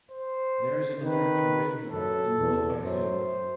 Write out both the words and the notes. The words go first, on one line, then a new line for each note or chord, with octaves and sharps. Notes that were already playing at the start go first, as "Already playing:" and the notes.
There is an American graveyard in Nueva Gerona.
C5
D#3 B4
F#2 A4
E2
F#2 C5